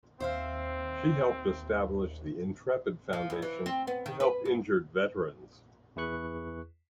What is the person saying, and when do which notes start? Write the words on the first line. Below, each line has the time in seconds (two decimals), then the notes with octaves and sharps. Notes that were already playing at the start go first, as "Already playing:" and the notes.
She helped establish the Intrepid Foundation to help injured veterans.
0.20 D#2 C4 C5 E5 F5
3.13 F3
3.30 E2
3.42 E3
3.66 C4
3.87 B3
4.06 D#3
4.20 B4
4.45 G2
5.96 E2 E4 G#4 B4 C#6 F#6